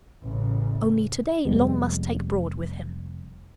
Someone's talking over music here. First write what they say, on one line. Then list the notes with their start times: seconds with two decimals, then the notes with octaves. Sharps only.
Only to-day, Long must take Broad with him.
0.23 A1 C#3
1.45 F1 G3 G#3 B3